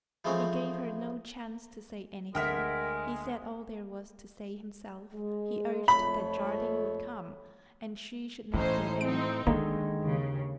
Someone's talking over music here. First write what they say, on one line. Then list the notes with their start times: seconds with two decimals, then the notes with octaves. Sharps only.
He gave her no chance to say anything; he said all there was to say himself; he urged that Jardine would come, and she should not be there.
0.25 E3 F3 G#3 A3 C4 C#4
2.35 D2 G#3 A#4 E5 F#5 G5 F6
5.14 G#3
5.88 F2 A3 C#5 B5
8.54 A2 E3 C#4 D#4 C5
9.01 C4 D#4 D7
9.47 D3 D#3 G#3 A#3 D4
10.00 D#2 C#3